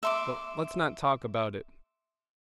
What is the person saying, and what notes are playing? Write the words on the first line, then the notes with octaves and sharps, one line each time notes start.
But let's not talk about it.
E5 C6 D6